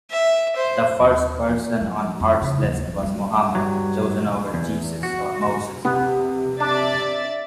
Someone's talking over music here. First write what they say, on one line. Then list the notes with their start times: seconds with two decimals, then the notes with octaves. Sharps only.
The first person on Hart's list was Muhammad, chosen over Jesus or Moses.
0.11 E5
0.56 C5
1.00 D#2
1.49 A#3
1.81 F3
2.20 F2
2.41 C#3
2.63 D#2
2.87 G#1
3.03 G3
3.55 G2 F#3
4.54 E2
5.03 F#4
5.85 C3 B3
6.60 D4 D5 E5 A6